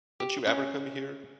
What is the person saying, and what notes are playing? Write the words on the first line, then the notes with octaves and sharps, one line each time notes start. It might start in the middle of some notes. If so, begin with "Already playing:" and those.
Don't you ever come here?
G4
C#4